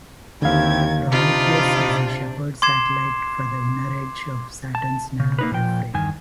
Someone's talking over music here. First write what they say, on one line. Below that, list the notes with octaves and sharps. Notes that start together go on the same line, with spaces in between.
Prometheus is a shepherd satellite for the inner edge of Saturn's narrow F Ring.
D#2 D3 C4 E4 G4 F5 G#6
C3 D4 D#4 F4 B5 D6
C6 D6 G#6 C7 E7
A5
C#3
A#3 D#4 B4
A#2 F3 G5
E2 G2 D#3 G#5